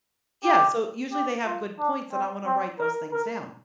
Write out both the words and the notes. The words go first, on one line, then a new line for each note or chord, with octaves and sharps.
Yeah, so usually they have good points, and I wanna write those things down.
G4
G4
F4
D4
C4
C4
A#4
A#4